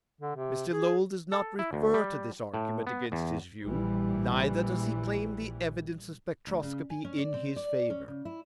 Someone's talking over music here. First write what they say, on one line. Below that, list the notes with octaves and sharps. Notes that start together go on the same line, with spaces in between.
Mr. Lowell does not refer to this argument against his view, neither does he claim the evidence of spectroscopy in his favour.
D3
C3
G#4
A4
E4
D2
G3
A2
B3
E2
A#1 E3 G3
D2
C#3
G#5
C#4
D5
C4
D5
C#4
C#3
E4